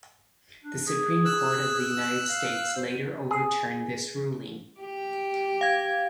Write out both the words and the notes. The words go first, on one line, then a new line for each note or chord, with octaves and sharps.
The Supreme Court of the United States later overturned this ruling.
D4
G#4
E6 F#6
F5
C5
G#4
G4
F5 G#6